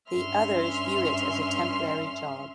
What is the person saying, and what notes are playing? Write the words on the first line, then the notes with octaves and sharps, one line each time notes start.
The others view it as a temporary job.
G2 C#4 E5 C6 F6